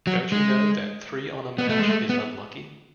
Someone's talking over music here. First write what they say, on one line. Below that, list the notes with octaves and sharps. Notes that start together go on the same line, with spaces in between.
Don't you know that three on a match is unlucky?
F#3
G#3
B3
A3
G#3
A3
B3